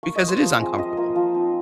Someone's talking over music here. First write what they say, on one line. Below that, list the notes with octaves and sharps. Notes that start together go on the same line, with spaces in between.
because it is uncomfortable.
A#3 C#6
D#5
F4
C5
F3
G#3 C4 F4
F3 D#5
A#3 F4
F3
C4 D#4